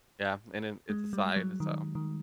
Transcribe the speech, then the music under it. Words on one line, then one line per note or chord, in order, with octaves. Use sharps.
yeah, and then it's a side, so
G#3
G3
F#3
D#3
D#3